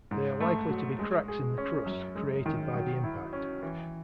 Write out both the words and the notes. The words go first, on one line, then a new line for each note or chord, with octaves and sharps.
They are likely to be cracks in the crust created by the impact.
G#2
A3
F#3
G#3
G#4
C#4
F#2
G#3
D#3
F#3
E4
C#4
E3